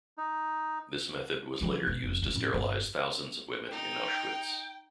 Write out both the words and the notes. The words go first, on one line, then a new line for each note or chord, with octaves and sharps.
This method was later used to sterilize thousands of women in Auschwitz.
D#4
E3 F#3
B1 G#2
F1
G#2 G#3
A2 C#4
G1
D#4 G5